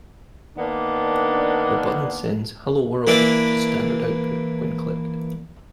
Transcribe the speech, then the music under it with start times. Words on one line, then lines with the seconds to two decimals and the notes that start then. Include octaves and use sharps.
The button sends "Hello world" to standard output when clicked.
0.57 D#3 A#3 B3 D4
3.07 E3 A#3 D4 E5 D6